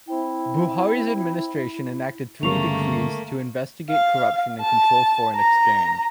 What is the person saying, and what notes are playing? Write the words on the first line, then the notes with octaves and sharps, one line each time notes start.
Buhari's administration enacted three decrees to investigate corruption and control foreign exchange.
C4 E4 C5 G5
G1 C#3 A3 A#3 A#4 C#6 F7
F5
A5
A#5